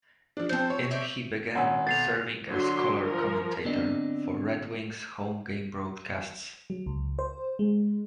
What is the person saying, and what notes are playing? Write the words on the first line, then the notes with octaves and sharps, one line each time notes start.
In he began serving as color commentator for Red Wings home-game broadcasts.
F3 D4
F3 C4 A4 C5
C#5
C5 D5 E5
G#1 C#4 F#5 G#5 E6
B1 A6 C7 F7
D3 F#3 C6
F3 A#4
D3 B3 C4 D4 D5 D#5
F#3
C#2
C5
G#3